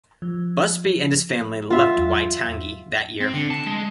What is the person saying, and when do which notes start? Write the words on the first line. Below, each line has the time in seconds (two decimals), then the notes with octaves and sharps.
Busby and his family left Waitangi that year.
0.22 F3
1.70 F4 E5 F#5
1.96 E2 F#3
3.21 C4
3.34 D3
3.50 A5
3.66 G#3